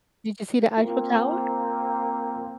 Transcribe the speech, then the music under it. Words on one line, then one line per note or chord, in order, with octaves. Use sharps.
Did you see the Eiffel Tower?
A#3 C4 F4